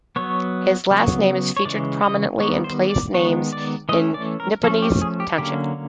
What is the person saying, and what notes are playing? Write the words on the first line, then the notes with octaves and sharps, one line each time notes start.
His last name is featured prominently in place names in Nippenose Township.
F#3 B3 C#5
C#3 F#3 B3 C#5
C#5
C#3 E3 G#3 D5
D#5
D#3 G3 B3 C#5
C5
D5
D#3 G#3 B3 C#5
D5
E3 A3 C#4 D#5
D5
A#4
F3 A3 C#4 A4
G4
G#4
G4
D3 F#3 A#3 C#4 G4